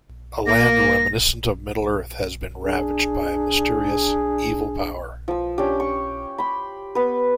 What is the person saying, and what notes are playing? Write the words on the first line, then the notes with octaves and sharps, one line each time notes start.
A land reminiscent of Middle-earth has been ravaged by a mysterious, evil power.
A#3 A#6
D4 G#4
F3 E6
C#4 D4 G4
C#6
B5 C6
B3 B4